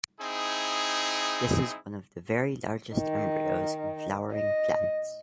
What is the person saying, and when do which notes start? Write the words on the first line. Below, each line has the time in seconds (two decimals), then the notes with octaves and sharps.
This is one of the very largest embryos in flowering plants.
0.20 C4 D#4 E4 G#4
2.96 D#3
4.33 D#5